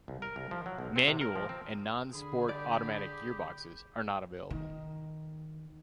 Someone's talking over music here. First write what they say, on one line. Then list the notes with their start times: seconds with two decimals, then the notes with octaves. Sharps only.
Manual and non-sport automatic gearboxes are not available.
0.08 C2
0.22 A#4
0.36 C2
0.51 F3
0.66 F#3
0.78 B1
0.96 C4
1.07 C3
1.21 A#4
1.36 F3
1.49 C4
2.13 D3 G#4 B5
2.49 G4 D5
4.50 D#3